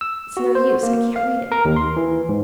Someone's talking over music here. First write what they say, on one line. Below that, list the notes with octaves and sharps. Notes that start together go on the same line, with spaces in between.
It's no use--I can't read it.'
E6
F#4
C5
A#3
F5
A#4
D#2
C6
E3
G#2